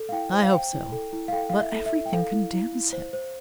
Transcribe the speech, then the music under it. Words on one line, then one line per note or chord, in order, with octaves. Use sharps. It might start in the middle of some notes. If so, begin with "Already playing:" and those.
I hope so; but everything condemns him.
Already playing: A4
F5
E4 G5
C5
F5
C5 G5
E4
A4
E4
F5
A4 G5
E4 F5
E5
A4
E5
E4
G5
A4 F5
E4
E4
E4
C5
C5